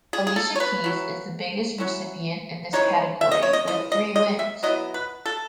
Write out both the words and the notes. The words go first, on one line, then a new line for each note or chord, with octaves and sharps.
Alicia Keys is the biggest recipient in this category with three wins.
G#4
G#4
A4
C#5
B4
F#3 C#4 E4
F#3 C#4 E4
C#3 E3 G#3 D#4 C#5
E5
D#5
C#5
D#5
C#3 E3 D#5
D#5
D#5
E5
F#3 B3 E4 D#5
B4
A4